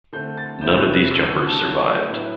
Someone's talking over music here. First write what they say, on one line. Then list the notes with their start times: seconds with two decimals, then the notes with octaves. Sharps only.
None of these jumpers survived.
0.13 D3 A3 C4 G6
0.37 A6
0.62 C3 G3 C4 E4 G6
0.79 F#6
0.94 F#6
1.11 D3 A3 C4 E6
1.23 E6
1.35 F#5
1.47 A5
1.60 D3 F#3 A3 F#6
2.09 A2 F#3 B3 E4